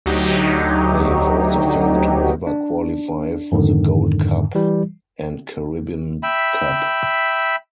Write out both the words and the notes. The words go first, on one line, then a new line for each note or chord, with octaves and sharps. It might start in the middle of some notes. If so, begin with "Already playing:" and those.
They have also failed to ever qualify for the Gold Cup and Caribbean Cup.
D2 F#3 D#4 G4
D4
F2 G#2 D3 D#3
E3 G3
E5 G5 B5